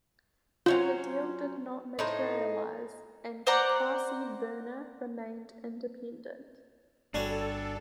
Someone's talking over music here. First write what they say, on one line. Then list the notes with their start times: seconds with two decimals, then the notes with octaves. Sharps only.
But the deal did not materialize and Carsey-Werner remained independent.
0.66 F#3 C#4 F4 C5
1.99 A2 D#4 C5
3.47 C5 D5 F#5 A#5
7.14 G1 G3 C#4 D4 F#4 A4